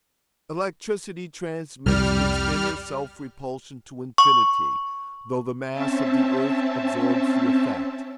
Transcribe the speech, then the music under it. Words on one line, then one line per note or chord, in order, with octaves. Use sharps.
Electricity transmits its inner self-repulsion to infinity, though the mass of the earth absorbs the effect.
C2 F2 G3 F6
C#6
C4 C#4 E5 A5